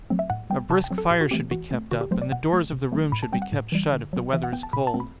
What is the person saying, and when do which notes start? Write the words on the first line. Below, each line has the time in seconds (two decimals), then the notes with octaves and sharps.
A brisk fire should be kept up, and the doors of the room should be kept shut, if the weather is cold.
0.10 F#3 A3 C4
0.19 E5
0.30 A2 F#5
0.50 G3 B3 G5
0.70 C3 A5
0.84 G5
0.91 F#3 C4
0.98 A4
1.11 A2 G4
1.21 F#4
1.31 E3 A3 C4 G4
1.51 E3 F#4
1.71 A3 C4
1.91 D3 F#4
2.01 G4
2.11 F#3 A3 C4 C5
2.22 D5
2.32 B2 F#5
2.51 F#3 A3
2.73 C3
2.92 F#3 A3 C4
3.12 A2 B5
3.23 A5
3.32 G3 C4 G5
3.42 F#5
3.52 A2
3.72 E3 G3
3.93 D3
4.13 F#3 B3
4.33 E3 E5
4.44 F#5
4.53 B3 G5
4.63 A5
4.73 B2 B5
4.87 A5
4.94 A3 C4
5.00 B5